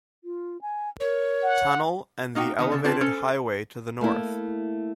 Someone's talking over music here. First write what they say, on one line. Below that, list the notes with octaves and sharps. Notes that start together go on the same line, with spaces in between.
Tunnel and the elevated highway to the north.
F4
G#5
A#4 C#5
F#5
A#3 D#4 F#4 G5
D#3 B3 D#4
C#3 D4 A4
D3 C4 F4 B4 A5
C#4 A4 C5
A3 A#3 E4